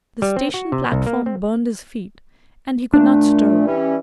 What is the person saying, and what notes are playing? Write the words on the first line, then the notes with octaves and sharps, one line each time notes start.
The station platform burned his feet, and he could not stir.
G3
C4
F#4
C3
C2
A#3
C4
A#2 A3 D4
E3 G3 C#4